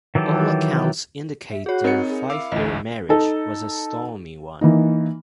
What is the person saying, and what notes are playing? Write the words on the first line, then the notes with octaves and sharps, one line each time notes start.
All accounts indicate their five-year marriage was a stormy one.
D#3 E3 F#3 G4 A4
E5
F#4 G#4 C#5
C4 D#4 A#4 C#5 C#7
G#4
E4 F5 D6 E6
A1 D2 D#5
D#4 A4
E3 A#3 D#4